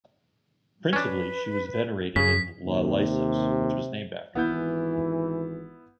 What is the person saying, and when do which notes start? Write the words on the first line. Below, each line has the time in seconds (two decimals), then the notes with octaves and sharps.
Principally, she was venerated in Ialysos, which was named after her.
0.93 C#4 D4 B4
2.16 F#2 C#3 G#4 B6
2.66 D#2 C3
4.35 G#1 E3 B3 E4 G6